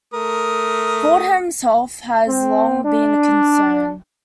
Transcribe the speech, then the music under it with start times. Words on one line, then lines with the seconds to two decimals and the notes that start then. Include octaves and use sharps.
Fordham's health has long been a concern.
0.13 A3 A#4 D#6
2.27 C4
2.84 D4